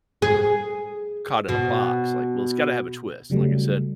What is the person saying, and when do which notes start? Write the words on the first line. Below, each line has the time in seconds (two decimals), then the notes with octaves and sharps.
caught in a box, like, "Well, it's gotta have a twist," and like I said,
0.22 G#4
1.49 B2
3.30 C#3 F#3 G3 A3